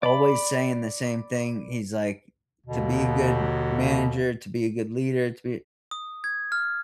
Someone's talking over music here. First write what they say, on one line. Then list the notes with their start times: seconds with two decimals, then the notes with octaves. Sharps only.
always saying the same thing. He's like, "To be a good manager, to be a good leader, to be
0.03 D5 B5
2.67 D#2 B2 D3
5.91 D#6
6.24 G#6
6.52 F6